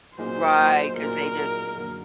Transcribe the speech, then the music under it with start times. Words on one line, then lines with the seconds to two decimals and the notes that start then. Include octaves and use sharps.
Right, 'cause they just
0.18 A#2 F#3 A#3 D#4 G#4 C5
0.58 A#2 F#3 A#3 D#4 G#4
0.97 A#2 F#3 A#3 D#4 G#4 A#4
1.37 A#2 F#3 A#3 D#4 G#4
1.76 F#2 D3 F#3 A#3